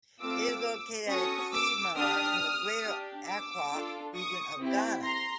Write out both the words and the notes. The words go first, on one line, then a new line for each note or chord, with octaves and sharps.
It is located at Tema in the Greater Accra Region of Ghana.
A3 C4 F4 D6 E6
C#4 F#4 A4 C#6 D#6
D6 E6
D4 G4 D#6 F6
D4 G4
D6 E6
D4 F4 A4
C#6 D#6
C4 E4 G4
A#5 C6